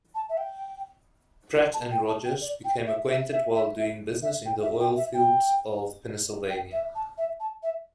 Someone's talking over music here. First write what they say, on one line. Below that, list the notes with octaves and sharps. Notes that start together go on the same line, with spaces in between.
Pratt and Rogers became acquainted while doing business in the oil fields of Pennsylvania.
A5
E5
G5
A5
G5
A5
G5
D5
G5
E5
E5
E5
E5
E5
E5
G5
E5
G5
E5
G5
G5
E5
A5
E5
A5
E5